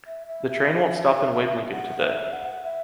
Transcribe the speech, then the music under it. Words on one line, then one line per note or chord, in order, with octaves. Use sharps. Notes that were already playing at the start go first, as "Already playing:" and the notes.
The train won’t stop in Waiblingen today.
E5
E5
E5
F#5
E5
F#5
E5